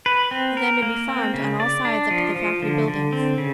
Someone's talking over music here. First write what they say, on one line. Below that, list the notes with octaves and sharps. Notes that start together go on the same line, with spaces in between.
The land may be farmed on all sides up to the factory buildings.
B4
C4
A#4
A#3
C4
C#3
D5
D4
F3
F3
D3
D3
C4
C#3